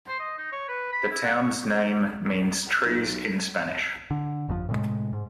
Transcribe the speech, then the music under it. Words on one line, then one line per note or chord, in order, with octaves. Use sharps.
The town's name means "trees" in Spanish.
C5
D#5
D#4
C#5
B4
B5
E4
F#5
C#5
B1
D3
G1 F2 A#2 F3
A2 C3 G3 G#3
G#2